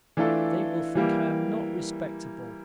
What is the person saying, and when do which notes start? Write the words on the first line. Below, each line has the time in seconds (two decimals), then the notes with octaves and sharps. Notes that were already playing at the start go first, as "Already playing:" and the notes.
They will think I am not respectable.
0.17 E3 A3 D4 F4 A4
0.95 E3 G3 A#3